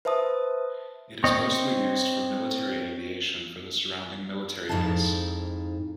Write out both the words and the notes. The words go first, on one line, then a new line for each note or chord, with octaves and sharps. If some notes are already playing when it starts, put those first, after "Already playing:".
It is mostly used for military aviation for the surrounding military base.
B4 C5 E5 A5 D#6
C4 C#5 D#5
F2 G#2 D#4 E4 F5 A5